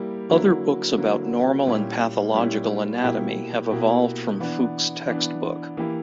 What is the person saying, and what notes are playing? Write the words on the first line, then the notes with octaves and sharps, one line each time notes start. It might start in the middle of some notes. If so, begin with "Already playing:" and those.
Other books about normal and pathological anatomy have evolved from Fuchs' textbook.
Already playing: G3 A#3 E4 G4
D3 F#3 A#3 E4
D3 F#3 A#3 E4
A#2 G3 C#4 E4 G4
A#2 G3 C#4 E4 G4
B2 A#3 E4 G4
B2 A#3 E4 G4
E3 B3 D4
E3 B3 D4
E3 A#3 E4 G4